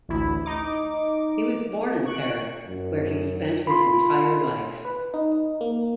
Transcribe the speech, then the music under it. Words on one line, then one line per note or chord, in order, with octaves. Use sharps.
He was born in Paris, where he spent his entire life.
A1 D2 E4
D#4 D6
C#6 F#6 D7
F#2
F4 B5 C6
B4
D#4
A#3